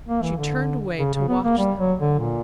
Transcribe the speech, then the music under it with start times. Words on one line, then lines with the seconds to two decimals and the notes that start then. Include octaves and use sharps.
She turned away to watch them.
0.08 A#3
0.22 E3
0.38 D3
0.99 C#3
1.14 C#3
1.28 B3
1.44 A#3
1.58 G3
1.79 F#3
2.00 D3
2.19 A#2